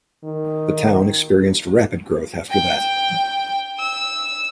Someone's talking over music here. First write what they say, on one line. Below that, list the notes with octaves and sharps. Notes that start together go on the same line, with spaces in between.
The town experienced rapid growth after that.
D#3
G5
E6